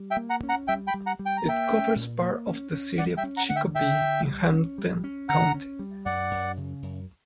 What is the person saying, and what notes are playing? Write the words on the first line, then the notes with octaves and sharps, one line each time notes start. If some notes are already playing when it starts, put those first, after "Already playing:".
It covers part of the city of Chicopee in Hampden County.
Already playing: G3
E5 G5
A#3
F#5 A#5
C#4
F#5 A#5
G3 E5 G5
G5 B5
G3
F#5 A#5
G3
G5
A#5
A#3 E5 G5
C#4
A#2
A#3
C#4
C#4
G3 D5 F#5
E5 G5
C#4
F#5 A#5
D3 F#5
E5 G5
D3 E5 G5
D3
G3
C#4
G3
C#4
D3 F#5 A#5
C#4
G3
F#2 D5 F#5
F#2
C#3
F#2